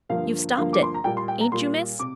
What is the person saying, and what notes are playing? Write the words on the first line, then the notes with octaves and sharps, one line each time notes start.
"You've stopped it--ain't you, miss?"
G2 D3 F3 A#3 F5
G2 D3 F3 A#3 F5
D6
C6
A#5
A#2 G3 A#3 G5
C6
G5
A#5
A#2 G3 A#3 C6
C3 D6